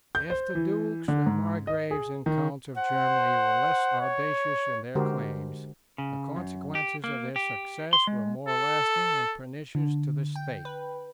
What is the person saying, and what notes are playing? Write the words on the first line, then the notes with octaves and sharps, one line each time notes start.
If the dukes, margraves, and counts of Germany, were less audacious in their claims, the consequences of their success were more lasting and pernicious to the state.
G6
C5
E3
D3
G#2
D#5
G#4
D#3
C5 F#5
C#5
D3 G#3 F#4 G4 A#4 C5
C#3
F#2
G4
A#3
G4
C6
G#3
A4
D3
G5
B4